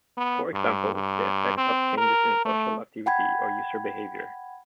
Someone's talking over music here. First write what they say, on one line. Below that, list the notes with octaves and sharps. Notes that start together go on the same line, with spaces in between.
For example, the effects of changes in social activity or user behavior.
B3
G2
G2
C4
A#4
A3
F#5 G5 B5 G#6